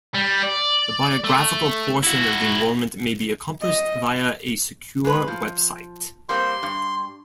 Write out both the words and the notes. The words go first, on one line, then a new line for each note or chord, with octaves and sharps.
The biographical portion of the enrollment may be accomplished via a secure web site.
G3
D5
A3
E4 F#4
D#5
G#3 B4
F3
G3 A#3 C4 C6
G2